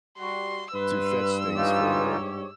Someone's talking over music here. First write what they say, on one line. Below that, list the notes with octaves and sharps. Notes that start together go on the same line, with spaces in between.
to fetch things for her,
G3 F#4 C6
G2 B4 C6 E6
G#2 E3 D#4 F4 G4 C#5